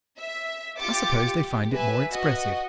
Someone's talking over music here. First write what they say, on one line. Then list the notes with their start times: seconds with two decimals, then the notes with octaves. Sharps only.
I suppose they find it more expressive.
0.16 E5
0.79 F4 G4 D6 A6 C#7
1.25 G4
1.72 B4 E5 G#5
2.09 F#4 D#5